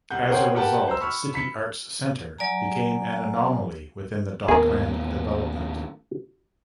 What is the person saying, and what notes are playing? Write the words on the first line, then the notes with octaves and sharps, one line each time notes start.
As a result, City Arts Centre became an anomaly within the dockland development.
C2 F#5 G6
G#4 A#4 C5 C#5 F#5 G5
G4 A#4 B4 F#5 G5 A5
C5 A#5 E6
B5 C#6 E6 F6
B5 B6 C#7
F#3 D5 G#5 A#5
D#2 A2 B3 G#4 A#4